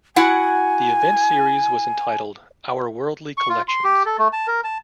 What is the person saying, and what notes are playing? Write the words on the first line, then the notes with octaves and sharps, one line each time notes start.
The event series was entitled 'Our Worldly Collections'.
E4 F#4 F#5 G#5
C#6
F4
C6
G4
A4
A3
A5
A#4
A5